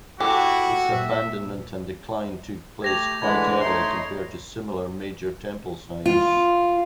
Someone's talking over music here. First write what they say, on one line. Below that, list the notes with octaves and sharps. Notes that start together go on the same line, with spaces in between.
This abandonment and decline took place quite early compared to similar major temple sites.
E4 F#4 G4 A4
A#2 E5
A3 G4 G#6 A#6 F7
D3 E3 G#3 A3 B5 G#6
A3 D#4 E4 C#5 C6
F4